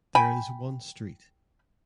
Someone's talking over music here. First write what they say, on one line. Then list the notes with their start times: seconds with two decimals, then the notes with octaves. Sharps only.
There is one street.
0.15 G5 G#5 B5